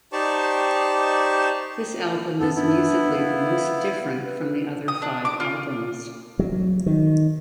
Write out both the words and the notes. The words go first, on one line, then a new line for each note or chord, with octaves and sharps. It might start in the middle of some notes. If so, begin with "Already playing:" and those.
This album is musically the most different from the other five albums.
D#4 G4 C5 D5 A5 C#6
F#2 B3 A4
B3 D4 E4
F5
B4
D#6
D4
D6
F4
F#3
D#3